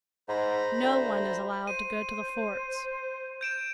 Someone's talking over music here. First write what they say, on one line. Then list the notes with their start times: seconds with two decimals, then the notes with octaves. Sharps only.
No one is allowed to go to the forts.
0.29 G#2 C5 A#5 B5
0.83 D2
1.67 C5 D#7
3.41 G6 D7 E7